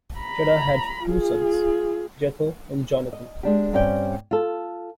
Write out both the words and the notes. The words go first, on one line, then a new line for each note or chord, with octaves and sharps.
Jada had two sons, Jether and Jonathan.
A#5 B5
F4 G#4
D#5
G#3 D4 G4
G2 C4 C#4 G4 D5 G5
F4 A4